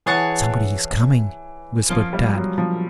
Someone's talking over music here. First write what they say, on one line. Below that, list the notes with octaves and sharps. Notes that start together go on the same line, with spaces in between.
"Somebody is coming," whispered Tad.
E3 G#4 C#5 F#5 A5
F3 A#3 C#4 F4
G3
F#3
F3